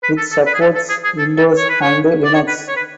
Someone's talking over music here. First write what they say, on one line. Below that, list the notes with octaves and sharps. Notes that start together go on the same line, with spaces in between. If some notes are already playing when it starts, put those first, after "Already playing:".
It supports Windows and Linux.
B4
A4
A4
B4
G#4
A4
A4
G#4
G#4
A4
A4
C#5
B4
C#5
D5
C#5
B4
C#5
B4